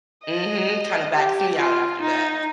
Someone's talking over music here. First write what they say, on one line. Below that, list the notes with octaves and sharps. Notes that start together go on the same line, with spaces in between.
Mhm. Kinda backs me out after that,
D#5
G4
F4
D#4